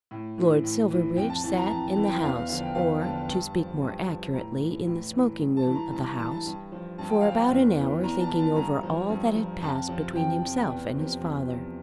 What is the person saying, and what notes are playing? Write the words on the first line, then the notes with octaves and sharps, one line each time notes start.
Lord Silverbridge sat in the House--or, to speak more accurately, in the smoking-room of the House--for about an hour thinking over all that had passed between himself and his father.
A2
E3
A2
E3
F2 G5
A5
E3 A5
A#5
F2 A5
A5
E3
G5
E2 F5
F5
D3 F3 F5
G5
E2 F5
D3 F3 A5
G2 A5
F3
G2
F3
A2 A#5
E3
A2
E3
G2
A5
E3
A#5
G2 A5
A#5
E3 A5
A5
G2
F3
G2 A5
G5
F3 F5
G5
E2
E3
E2 A#5
A5
E3
A5
G2 A#5
F3
G2
F3
F2 A5
C3 F3
F2 G5
C3 F3
E2
C3 F3
E2
C3 F3